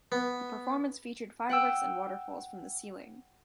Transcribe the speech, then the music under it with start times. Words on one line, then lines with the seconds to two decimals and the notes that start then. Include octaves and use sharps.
The performance featured fireworks and waterfalls from the ceiling.
0.12 B3
1.49 F#5 G5 E6